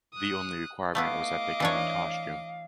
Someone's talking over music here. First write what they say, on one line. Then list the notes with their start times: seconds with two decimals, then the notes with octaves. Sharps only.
The only requirement was they come in costume.
0.14 D#6 F#6
0.95 A3 B3 E4 D#5 F5 D6
1.60 E3 D4 C#5